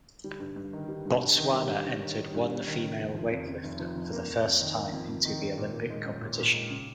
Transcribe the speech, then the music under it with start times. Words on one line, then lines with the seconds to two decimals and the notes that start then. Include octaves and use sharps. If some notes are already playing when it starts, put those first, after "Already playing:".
Botswana entered one female weightlifter for the first time into the Olympic competition.
0.24 G3
0.40 G2
0.56 G2
0.73 D#3
0.88 G3
1.06 G2
1.22 G2
1.38 D#3
1.53 G3
1.70 G2
1.86 C#4
2.02 D#3
2.18 G3
2.35 G2
2.50 C#4
2.67 D#3
2.83 C#3
2.98 F1
3.14 F3
3.30 F2
3.47 C#3
3.64 F1
3.80 F3
3.95 F2
4.12 A#3
4.28 F2
4.44 F2
4.60 D#3
4.76 A#3
4.93 F2
5.09 F2
5.25 D#3
5.41 C#4
5.57 A#2
5.73 A#2
5.90 G#3
6.06 C#4
6.21 A#2
6.38 A#2
6.54 G#3
6.70 C#3